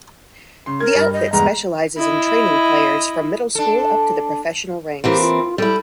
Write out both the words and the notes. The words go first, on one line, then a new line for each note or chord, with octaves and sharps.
The outfit specializes in training players from middle school up to the professional ranks.
C#3 C6
A#4 G#6
G2 A6
D#5
G1 E2 G#3 A#5
E4 D#5
D4 A4
E3 A#3 C4 G4
F4
G3 E4 A4